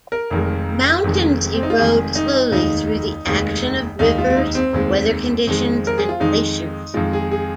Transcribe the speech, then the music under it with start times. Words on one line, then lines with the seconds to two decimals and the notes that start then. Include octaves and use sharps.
Mountains erode slowly through the action of rivers, weather conditions, and glaciers.
0.12 A#4
0.30 F1 F2 D#3 G#3
1.04 F1 F2 D#3 G#3
1.55 C4
1.63 D#4
1.70 F4
1.78 F1 F2 D#3 G#3 G#4
2.15 D#4
2.51 F1 D#2 D#3 G#3 D#4
3.26 F1 D#2 D#3 G#3
3.99 F1 D#2 D#3 G#3 D#4
4.18 F4
4.30 C4
4.37 D#4
4.55 C4
4.72 F1 D#2 D#3 G#3
5.47 F2 D#3 G#3
5.87 A#4
5.98 G#4
6.09 F4
6.20 F2 D#3 G#3 D#4
6.94 F2 D#3 G#3 F4
7.13 G#4
7.32 G#4